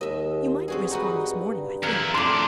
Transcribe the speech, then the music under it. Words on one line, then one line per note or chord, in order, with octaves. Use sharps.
You might risk one this morning, I think.
D#2 D#5 E5
G2 C4 F#4 G#4
D#4 F#4 B4
F2 E4 A#4
F2 A2 D4 A#4 C6 D6